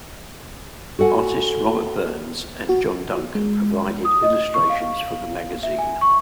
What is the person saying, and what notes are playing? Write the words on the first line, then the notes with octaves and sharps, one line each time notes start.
Artists Robert Burns and John Duncan provided illustrations for the magazine.
F#4 A4 F#5 G#5
F#4
G#3
D#6
D#5
C#6
F5
E5
G#5
C#6